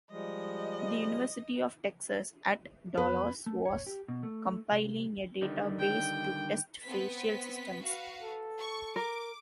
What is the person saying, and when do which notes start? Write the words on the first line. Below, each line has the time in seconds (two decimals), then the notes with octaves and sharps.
The University of Texas at Dallas was compiling a database to test facial systems.
0.11 F3 G3 G#3 D#5
2.97 F2 B3 B4
3.46 A3
3.65 C#5
3.87 G4
4.08 B2
4.23 A3
4.71 C2
5.42 D3 D#3 G3
5.79 G5
6.85 B3 C4 B6
7.83 F#4 B4 F5
8.22 A4
8.60 C#6
8.96 A#4 D6